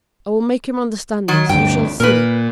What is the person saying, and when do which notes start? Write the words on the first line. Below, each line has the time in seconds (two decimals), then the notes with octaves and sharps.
I will make him understand this, you shall see.
1.28 D#3 F#3
1.49 D2 G2 G5
2.00 A#2 A#4 B4